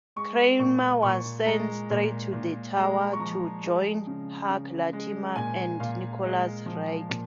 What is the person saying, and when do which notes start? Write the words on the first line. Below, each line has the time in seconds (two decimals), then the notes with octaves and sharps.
Cranmer was sent straight to the Tower to join Hugh Latimer and Nicholas Ridley.
0.16 G#3 C#6
0.59 A#2 C#6
1.02 A#2 C#6
1.46 G#3 A#5
1.90 A#2
2.33 A#2
2.77 G#3 A#5
3.13 C#6
3.20 F3 A#5
3.63 G#3
4.07 C#3
4.50 C#3
4.93 G#3
5.36 A#2 G#5
5.80 A#2 F5
6.23 G#3
6.66 F3
7.09 A#2